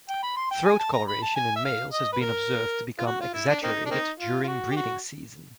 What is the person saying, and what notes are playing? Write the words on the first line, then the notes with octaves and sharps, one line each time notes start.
Throat coloration in males has been observed to become exaggerated during breeding season.
G5
B5
C6
G5
G#5
A5
A#5
B5
A5
G#5
E5
F5
D#5
B4
A#4
F4
F#4
F4
E4
D4
A#3 C4 D#4
D4
A#3 C4 D#4
F4
F4
F#4
G4
F#4